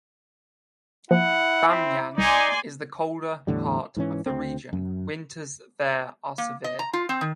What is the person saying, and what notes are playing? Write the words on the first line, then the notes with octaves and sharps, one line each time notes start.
Bamyan is the colder part of the region; winters there are severe.
F3 A#3 E4 F#5
C4 C#6 B6
C2 D#4 D5 G#5 C6
E2 A2 D3 G3
G#2 E3 C#4
D2 C4
F#2
A#3
D#5
A#5
F4
C4
D#3